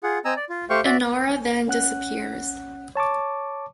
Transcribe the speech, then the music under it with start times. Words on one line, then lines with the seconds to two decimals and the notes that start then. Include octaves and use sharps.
Inara then disappears.
0.03 F4 G#4 F#5
0.25 C4 D#5 G#5 A#5 E6
0.37 D5
0.49 F4
0.70 A3 G4 C5 F5 G5 C#6
0.85 F#4 D5 E5
1.68 C#4 F#5 F#6
2.96 C#5 A5 C#6 D6